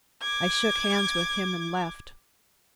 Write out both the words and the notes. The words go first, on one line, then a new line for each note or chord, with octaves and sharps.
I shook hands with him and left.
D6 G#6